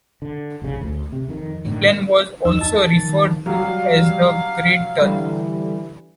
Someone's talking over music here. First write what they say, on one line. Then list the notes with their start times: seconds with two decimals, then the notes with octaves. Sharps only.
The plan was also referred to as the "Great Turn".
0.22 D3
0.62 F1 A#1 C#3
0.81 D2
1.12 C3
1.28 F2 D#3
1.66 A2 D3 D#3
2.45 E2 D#4 E6
2.61 A5
2.95 D#3
3.46 F#3 G3 G4 F5
4.98 D3 E3 G3